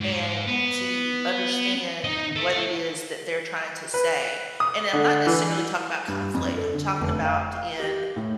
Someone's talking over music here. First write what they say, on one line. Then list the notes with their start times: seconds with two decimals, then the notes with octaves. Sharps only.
and to understand what it is that they're trying to say. And I'm not necessarily talking about conflict, I'm talking about in,
0.01 G#2
0.47 B3
2.04 D#4 D#5
2.36 A4 E5
3.94 B4
4.60 D#6
4.93 D3
5.27 E3
6.08 G2
6.34 F2
6.57 A4
6.74 D3
7.01 F1
7.25 F5
7.55 F5
7.80 G4
8.16 A2